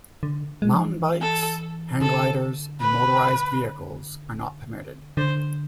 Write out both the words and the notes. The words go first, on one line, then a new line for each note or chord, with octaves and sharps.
Mountain bikes, hang gliders, and motorized vehicles are not permitted.
D3
G#3
F3
E3
A4
D3 A4
B4
D3 C5